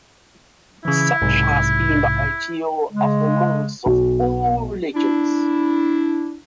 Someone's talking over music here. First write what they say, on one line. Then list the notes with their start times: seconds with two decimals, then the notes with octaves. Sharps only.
Such has been the ideal of the monks of all religions.
0.85 C#3 E3 E4
1.22 B1 G#2 C3
2.93 C#3 G#3
3.86 B1
4.95 D4 E4